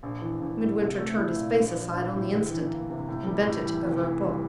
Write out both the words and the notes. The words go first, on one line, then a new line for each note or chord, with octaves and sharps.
Midwinter turned his face aside on the instant, and bent it over a book.
A#1
E3
A#1
A2
C2
A3
E4
A#2
A#1
F3
A#1
A2
D2
E3
A#3
C3
A2
G3
A2
E3
F1
E3
G3